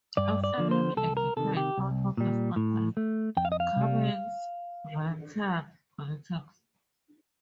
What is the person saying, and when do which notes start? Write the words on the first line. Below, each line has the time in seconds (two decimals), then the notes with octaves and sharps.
After nearly a decade out of the spotlight, Cummings reentered politics.
0.17 G2 D5
0.44 D5
0.58 D3 F3
0.71 C5
0.97 C2 A4
1.17 A#4
1.37 C3 D#3 A4
1.57 G4
1.78 C2
2.17 A#2 G3
2.56 A2
2.97 A3
3.37 F2 G5
3.45 F5
3.52 D#5
3.60 F5
3.76 C3 G3